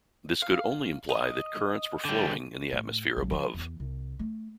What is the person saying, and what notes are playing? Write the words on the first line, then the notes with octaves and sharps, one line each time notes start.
This could only imply that currents were flowing in the atmosphere above.
F5
D#5
D3 G3
A2
A#1 F#3
F3 D4
E2 E3
C2
A3